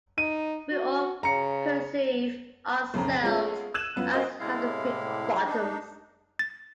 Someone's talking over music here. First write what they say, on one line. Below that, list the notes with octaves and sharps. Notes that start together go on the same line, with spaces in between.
We all perceive ourselves as having big bottoms.
D#4 D#7
F#4
C#3 A#5 C#7
B1 F2 C#3 C4 A#5
G#3 B3 C#4 F4 G#4
E6 F#6 G#6 D#7 E7 F#7
F#2 B3 F4
F#4 A#4 C5 D#5 F5
A2 C3 G#3 E4 F5
D4 D#4
A6